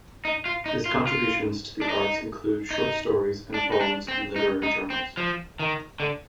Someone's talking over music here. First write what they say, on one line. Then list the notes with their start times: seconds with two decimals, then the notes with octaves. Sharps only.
His contributions to the arts include short stories and poems in literary journals.
0.25 D#4
0.45 F4
0.66 D#4
0.86 F4
1.07 F4
1.81 D4
1.89 D#4
2.71 D#4
3.54 D4
3.72 D#4
3.80 D4
4.08 C4
4.36 D#4
4.63 D#4
4.90 C4
5.17 F3
5.60 D#3
6.00 D3